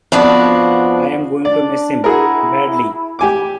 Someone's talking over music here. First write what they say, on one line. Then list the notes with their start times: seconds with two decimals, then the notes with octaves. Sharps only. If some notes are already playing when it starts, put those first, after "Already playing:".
I'm going to miss him...badly.
0.12 F2 F3 B3 D4 F#4
1.45 D4 D5
2.04 E4 F#4 G#4 A#4
3.19 G4 G#5 D6